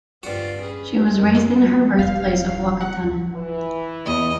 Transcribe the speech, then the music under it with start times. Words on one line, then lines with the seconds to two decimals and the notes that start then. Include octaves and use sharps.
She was raised in her birthplace of Whakatane.
0.23 G2 C4 F4 F#4 D5
0.61 C#4 G#4 B4
1.18 F#2 D#3 C4 A#4 D#5
1.60 F3 F#3
1.99 E1 C4 F5
2.20 F5
2.81 F#5
3.34 E3
4.05 E2 D#5